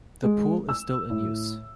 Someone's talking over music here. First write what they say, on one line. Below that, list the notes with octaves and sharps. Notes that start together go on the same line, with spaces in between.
The pool is still in use.
G#3
E6
A2